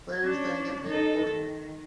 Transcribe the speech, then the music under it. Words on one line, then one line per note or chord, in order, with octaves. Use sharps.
Players then get paid accordingly.
C#4 D4
D#4 A4
D#3